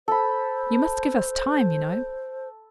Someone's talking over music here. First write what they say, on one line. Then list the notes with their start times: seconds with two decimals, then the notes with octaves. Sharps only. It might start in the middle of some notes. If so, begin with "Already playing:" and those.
You must give us time, you know.
0.08 A4 C5 B5